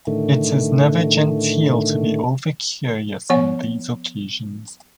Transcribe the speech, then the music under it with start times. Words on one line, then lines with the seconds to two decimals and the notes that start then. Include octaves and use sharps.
It is never genteel to be over-curious on these occasions.
0.07 A2 D3 D#3 A3
3.30 F3 B3 C#5 F#5 G#5